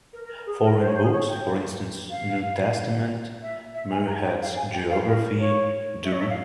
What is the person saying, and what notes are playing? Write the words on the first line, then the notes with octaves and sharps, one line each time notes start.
Foreign books for instance New Testament, Muirhead's Geography, Do.
A#4
A#4
A#4
G#4
A#4
C5
C#5
C5
G#4
C#5
G5
F5
E5
E5
G#5
A#5
G5
F5
G#5
G5
F5
A#4
A#4
C#5
E5
C#5
E5
F5